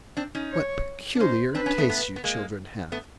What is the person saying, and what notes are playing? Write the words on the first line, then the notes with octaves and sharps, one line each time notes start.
"What peculiar tastes you children have!"
C4 D4
C#4 D#4
C#5
D4
C#4 D#4 C5
C4 D4 B4
B3 C#4
A3 B3
A3 B3
B3
G#3 A#3
A3 B3